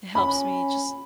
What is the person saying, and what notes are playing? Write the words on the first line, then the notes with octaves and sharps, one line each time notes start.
it helps me just,
C#4 B5